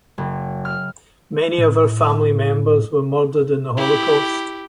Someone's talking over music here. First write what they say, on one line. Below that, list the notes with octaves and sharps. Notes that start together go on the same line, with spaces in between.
Many of her family members were murdered in the Holocaust.
F#1
F6
A2
E4 G4